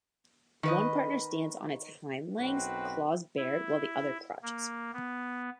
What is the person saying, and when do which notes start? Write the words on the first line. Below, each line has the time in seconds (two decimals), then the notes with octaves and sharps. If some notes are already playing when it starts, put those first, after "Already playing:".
One panther stands on its hind legs, claws bared, while the other crouches.
0.63 D#3 B4 D#5
2.39 B1 F#2 C4 F#4 B4
3.37 E4
4.43 A#3
4.94 B3